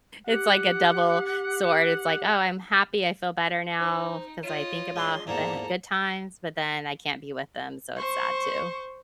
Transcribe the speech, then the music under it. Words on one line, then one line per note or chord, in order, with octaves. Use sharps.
it's like a double sword. It's like, oh, I'm happy, I feel better now, 'cause I think about how the ha good times, but then I can't be with them, so it's sad too.
G4 F#5
D#4 C5
F4 C#5 D#5
G#3 D4 C6
E2 G#2 A#3 A4 D5 A#5
C5 C#6